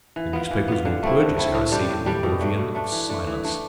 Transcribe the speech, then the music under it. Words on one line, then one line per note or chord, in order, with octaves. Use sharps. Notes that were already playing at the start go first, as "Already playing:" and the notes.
The newspapers will purge his heresy in the oblivion of silence.
E3
B3 F4
E3
B3 F4
D3
A3 C4 E4
D3
A3 C4 E4
A2
G3 D4 G4
A2
G3 D4 G4
B2
A3 D4
B2
A3 D4
E3
A3 D4
E3
A3 D4